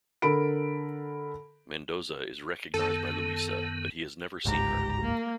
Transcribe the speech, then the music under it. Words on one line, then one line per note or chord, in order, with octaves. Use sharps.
Mendoza is recognized by Louisa but he has never seen her.
D3 A4 A#4 B5 D7
F#2 D#3 B3 A4
G1 C#2 G#2 G4 A#5
A#3